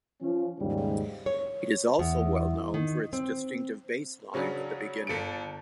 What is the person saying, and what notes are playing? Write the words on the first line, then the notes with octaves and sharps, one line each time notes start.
It is also well known for its distinctive bass line at the beginning.
F3 C#4
D#2 G#2 C#3 G3
C#5
E2
D#3
C4
C#3 F#3 C#4 D4
G1 A4 C#7 D7